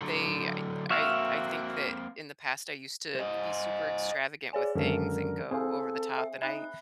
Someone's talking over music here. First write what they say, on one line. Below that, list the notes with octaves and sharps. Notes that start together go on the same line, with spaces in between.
they I I I think that in the past, I used to be super extravagant with things and go over the top, and I
D3 F#3
A#3 C4 F#4 E5 F5
C5 D#5
G#4 C#5 D5 G#5
F#2 D3 D#3 G#3 A4 A#4
C4 G#4 A4 C5 F5
E5
D#4 E5 B5 F#6